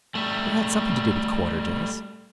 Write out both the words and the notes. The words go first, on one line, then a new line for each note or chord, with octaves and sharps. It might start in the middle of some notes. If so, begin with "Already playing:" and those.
But it had something to do with quarter-days.
G3 A3